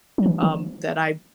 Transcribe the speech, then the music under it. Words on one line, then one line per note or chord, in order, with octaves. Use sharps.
um, that I
F#3
E3
E3